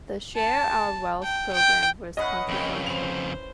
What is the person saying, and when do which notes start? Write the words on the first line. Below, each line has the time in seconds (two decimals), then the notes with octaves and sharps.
The Share Our Wealth program was controversial.
0.36 A5
1.23 G5
1.53 G5
2.17 C#4 E4 B4 D#5 F#5
2.49 F2 C#3 A#4 G5
2.86 C5 F7